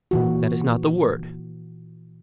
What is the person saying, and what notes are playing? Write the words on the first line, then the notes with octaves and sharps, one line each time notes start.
That is not the word.
A#2 E3 F#4